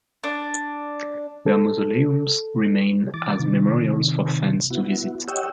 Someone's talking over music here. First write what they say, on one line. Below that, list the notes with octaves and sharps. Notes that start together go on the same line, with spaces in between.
Their mausoleums remain as memorials for fans to visit.
D4
A4
E3 D6 A6
C3 D#3
B3 E4 F#4
G4 C#5 D#5 F#5 G5 E6